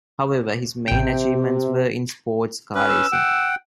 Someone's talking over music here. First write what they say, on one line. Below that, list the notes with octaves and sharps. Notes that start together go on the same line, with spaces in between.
However his main achievements were in sports car racing.
A1 C3 G5
C#4 B4
E6
F#5 G5